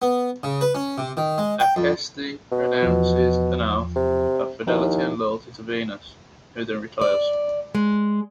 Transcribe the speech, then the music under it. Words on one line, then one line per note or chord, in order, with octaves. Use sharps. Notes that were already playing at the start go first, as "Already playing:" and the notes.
Aceste pronounces an oath of fidelity and loyalty to Venus, who then retires.
B3
C#3
B4
C#4
C3
D#3
G#3
G5
F2
B2
E2 F3
C3
D#2 F3 D#4 E4
D5
G#3